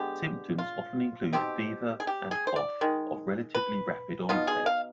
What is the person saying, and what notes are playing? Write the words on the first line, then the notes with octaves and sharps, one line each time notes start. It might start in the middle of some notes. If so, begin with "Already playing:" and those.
Symptoms often include fever and cough of relatively rapid onset.
Already playing: D3 G#3 B3 G4
F4
B2 G#3 C4 D#4 G4
G#4
G4
G#4
C5
D5
D#3 G#3
B4
B2 B3 D#4 F4
G#4
F5